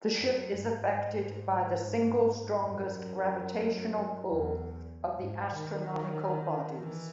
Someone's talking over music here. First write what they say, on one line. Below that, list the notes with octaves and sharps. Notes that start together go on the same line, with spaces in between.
The ship is affected by the single strongest gravitational pull of the astronomical bodies.
F#2
G#2
F#2
E2
G#2
D#3
E3